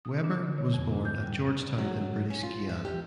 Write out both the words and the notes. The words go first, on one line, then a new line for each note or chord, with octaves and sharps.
Weber was born at Georgetown in British Guiana.
D#6
D4
D3
C#5
F2
D4
G6
G3
G2
F#3
C#4
F4
E5
G4